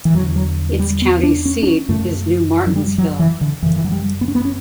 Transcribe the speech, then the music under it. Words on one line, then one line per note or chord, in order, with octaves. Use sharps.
Its county seat is New Martinsville.
E3
E2 D3 F#3
F#3
G3
B3
D4
C#4
D4
C#4
F#2 C#3 A3
F#3
G3
F#3
E3
D3
F#2 C#3 E3
E3
F#3
G3
B3
C#4
B3
C#4